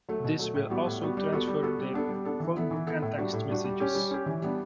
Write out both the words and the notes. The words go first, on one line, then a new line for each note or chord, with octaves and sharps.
This will also transfer their phone book and text messages.
F#3 A3
B2
F#3 A3
A2
G3 B3 F#4
A2
G3 B3 F#4
G3
B3 F#4 A4
G3
B3 F#4 A4
G3
B3 D4 A4
G3
B3 D4 A4
E3
B3 E4 A4
E3
B3 E4 A4
A2
G3 D4 F#4
A2
G3 D4 F#4
G3
C#4 G4
G3
C#4 G4
E3
G3 B3 D4